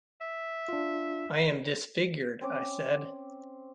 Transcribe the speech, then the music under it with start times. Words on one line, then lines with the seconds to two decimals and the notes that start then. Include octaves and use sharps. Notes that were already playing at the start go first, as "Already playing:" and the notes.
'I am disfigured,' I said.
0.21 E5
0.68 D4 F4
2.41 C4 C#4 D6